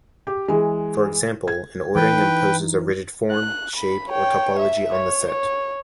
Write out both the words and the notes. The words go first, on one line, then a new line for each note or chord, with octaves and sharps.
For example, an ordering imposes a rigid form, shape, or topology on the set.
G4
E3 G#3
G#6
E3 B4 G5
D#4
F#6
B5
C#5 G5
E5
C#5
C#5